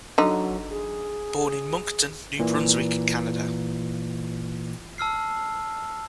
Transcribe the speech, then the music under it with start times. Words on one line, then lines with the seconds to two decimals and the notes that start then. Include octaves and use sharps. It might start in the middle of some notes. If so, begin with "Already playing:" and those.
Born in Moncton, New Brunswick, Canada.
0.18 D3 F#3 D#4
0.70 G#4
2.39 A#2 E3
4.98 A5 E6 F6 C7